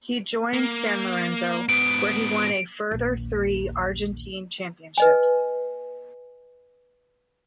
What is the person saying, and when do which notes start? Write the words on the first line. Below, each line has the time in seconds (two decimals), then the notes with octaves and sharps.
He joined San Lorenzo where he won a further three Argentine championships.
0.54 A#3
1.69 G#2 B3 D7
2.91 A#1 D#2
4.98 B4 D#5 G#5